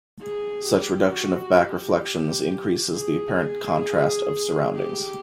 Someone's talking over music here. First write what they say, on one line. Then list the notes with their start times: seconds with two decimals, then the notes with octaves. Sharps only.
Such reduction of back reflections increases the apparent contrast of surroundings.
0.22 G#4
0.66 G4
1.12 F#4
1.58 G4
2.93 G#4
3.39 G#4
4.76 G4